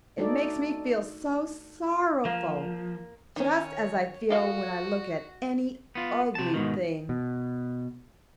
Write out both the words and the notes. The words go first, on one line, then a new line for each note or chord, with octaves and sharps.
It makes me feel so sorrowful--just as I feel when I look at any ugly thing.
A3 D4 D#4 F#4 A4 D5
F3 A#3
D#3 C#4 C#5
F#4 A4 F5
B3 F4
C3 A5
G#2 B2 D#3
B2